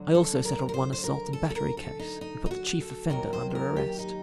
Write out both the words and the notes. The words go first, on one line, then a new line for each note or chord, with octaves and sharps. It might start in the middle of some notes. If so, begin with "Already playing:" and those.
I also settled one assault and battery case, and put the chief offender under arrest.
Already playing: D2 D3 F#3
A4
A#4
A#4
C5
C5
A#4
A4
A4
A#4
A4
D#4
D#4
D#4
F#4
A4
D#2 D#3 F#3 A#4
C5
C5
A#4
G4
D#4